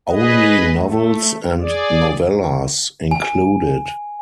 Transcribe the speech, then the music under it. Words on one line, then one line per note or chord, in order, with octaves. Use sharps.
Only novels and novellas included.
G#4 B4 D#5
A3
G#4 D5
G#5